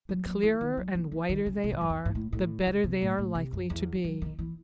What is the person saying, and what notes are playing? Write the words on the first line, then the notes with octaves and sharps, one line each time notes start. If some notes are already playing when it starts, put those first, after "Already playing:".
The clearer and whiter they are the better they are likely to be.
F#3
F#3
E3
D#3
F#3
E3
E3
D#3
C#3
C3
G#2
F#2
E2
G#2
A2
A2
C#3
C3
A2
A2
C3
F#2
E2
F#2
D#3
E3